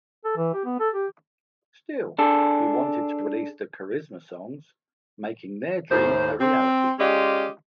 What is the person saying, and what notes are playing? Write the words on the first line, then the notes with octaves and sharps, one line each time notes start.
Still, he wanted to release the Charizma songs, making their dream a reality.
A4
E3
G4
B3
A4
G4
D4 G#4 A4
D#2 A2 C5
C4
G#3 C#4 F4 G4 D5 D#5